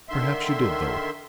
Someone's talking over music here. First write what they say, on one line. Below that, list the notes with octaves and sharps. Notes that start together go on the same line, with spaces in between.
Perhaps you did, though.'
D3 D#3 E5 C6